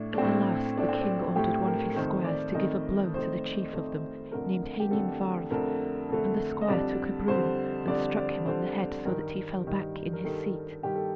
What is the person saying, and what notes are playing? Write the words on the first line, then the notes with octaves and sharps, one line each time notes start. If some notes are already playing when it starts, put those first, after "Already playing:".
At the last the king ordered one of his squires to give a blow to the chief of them, named Heinin Vardd; and the squire took a broom and struck him on the head, so that he fell back in his seat.
Already playing: A2 A3 D4
D4
A2 A3 C4
A2 A3 D4
C4
D4
A2 A3 G4
A#4
F2 D#3 A3 C5
D5
F2 D#3 A3 D#5
F2 D#3 A3 C5
F2 D#3 A3
F2 D3 A3 A#4
G4
F2 D3 A3 A4
F2 D3 A3 A#4
F2 D3 A3
D#5
F2 D3 G3 D5
F2 D3 G3 C5
F2 D3 G3 D5
D5
F2 D3 G3 C5
G2 D#3 G3 A#4
G2 D#3 G3
A#4
G2 D#3 G3 A4
G2 D#3 G3 G4
A4